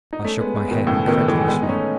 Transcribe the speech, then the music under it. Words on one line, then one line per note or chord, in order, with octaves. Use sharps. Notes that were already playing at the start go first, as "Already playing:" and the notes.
I shook my head incredulously.
D#4
A3 C#4
G#3 B3
G#3 B3
B2 D#3
A2 C#3
B2 D#3
E3 G#3
G#3 B3
D#4
A3 C#4